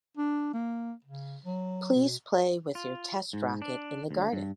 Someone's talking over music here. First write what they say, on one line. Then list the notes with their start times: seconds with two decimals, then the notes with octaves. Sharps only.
Please play with your test rocket in the garden!
0.17 D4
0.53 A#3
1.04 C#3
1.44 F#3
1.95 B2
2.75 F4
3.33 G#2
3.62 D4
4.11 D2
4.33 G2